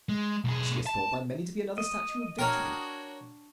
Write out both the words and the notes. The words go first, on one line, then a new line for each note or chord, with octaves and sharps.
She is thought by many to be another statue of Victory.
G#3
B1 G#4
A5
D#5
D4 F#4 A#4 C#5 G5 A#5 F6